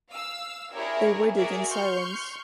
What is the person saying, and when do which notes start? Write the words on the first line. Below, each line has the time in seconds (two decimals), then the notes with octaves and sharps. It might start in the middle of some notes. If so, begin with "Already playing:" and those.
They waited in silence.
0.10 F5 E6
0.73 D4 E4 G4 G#4 A#4 C#5
1.34 F#4 G#4 A#4 D5 E5
1.69 C6 C#6 F6 G6